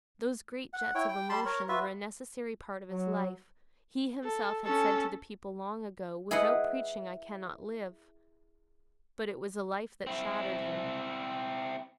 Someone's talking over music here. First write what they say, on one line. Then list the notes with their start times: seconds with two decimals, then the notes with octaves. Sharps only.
Those great jets of emotion were a necessary part of his life; he himself had said to the people long ago, "Without preaching I cannot live." But it was a life that shattered him.
0.73 F#5
0.95 E4 C#5 G5
1.08 G5
1.29 G3 A5 B5 C6
1.46 A#4 C#5
1.69 F4 F#4 B4 E5
2.87 F#3
4.24 A4
4.65 C#4 A4
6.31 E4 G#4 B4 D#5 F#5
10.07 C4 E4